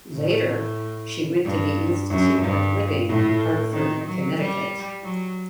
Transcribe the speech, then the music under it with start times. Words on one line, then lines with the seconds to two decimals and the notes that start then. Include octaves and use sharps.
Later, she went to the Institute of Living in Hartford, Connecticut.
0.14 A2
1.45 G2
2.10 F#2
2.43 G2
3.08 A2
3.73 D#3
4.05 F#3
4.38 G3
5.04 F#3